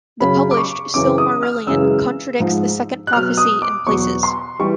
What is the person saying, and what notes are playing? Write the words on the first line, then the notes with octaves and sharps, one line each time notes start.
The published "Silmarillion" contradicts the Second Prophecy in places.
F#2 C#3 F#3 B5
D6
C#6
F#2 C#3 E3 D6
D#6
F6
F#2 C#3 E3 G#3 E6
G#2 F3 G#3
F#6
B2 F#3 F6
D#6
D6
E2 B2 F#3 C#6
C6
E3 G3 C#6